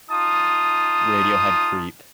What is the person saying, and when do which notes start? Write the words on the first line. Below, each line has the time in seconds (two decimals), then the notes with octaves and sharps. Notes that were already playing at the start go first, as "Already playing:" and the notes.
Radiohead Creep
0.10 D#4 F4 A5 D#6